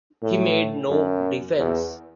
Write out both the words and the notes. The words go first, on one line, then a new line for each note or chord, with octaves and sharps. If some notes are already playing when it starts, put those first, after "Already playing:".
He made no defence.
A2
F#2
E2